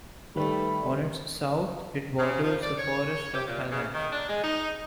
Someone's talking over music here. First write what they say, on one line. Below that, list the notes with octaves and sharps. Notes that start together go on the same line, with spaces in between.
On its south it borders the Forest of Halatte.
D#3 G3 A3 B4 B5
C#3
F3
D5
C#5
G4
A#2
C#3
D#3
D4
G#3
D#4